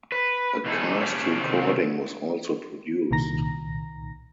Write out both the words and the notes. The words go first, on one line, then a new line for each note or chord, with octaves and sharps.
A cast recording was also produced.
B4
B2 E3 A3 D#4 G#4 A4
A#2 C#4 D4 G4
C3 D#3 C4
C2 A#2 D#3 A#5 A#6